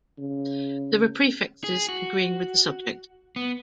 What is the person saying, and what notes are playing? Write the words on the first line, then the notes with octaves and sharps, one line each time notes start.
There are prefixes agreeing with the subject.
C#3
G#4
F#4
B3